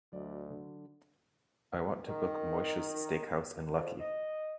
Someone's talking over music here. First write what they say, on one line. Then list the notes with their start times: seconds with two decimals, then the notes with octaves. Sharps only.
I want to book Moishes Steakhouse in Lucky.
0.13 D2 F#3 D5 D#5
0.50 D3
2.08 D#3
3.76 F2
4.00 D#5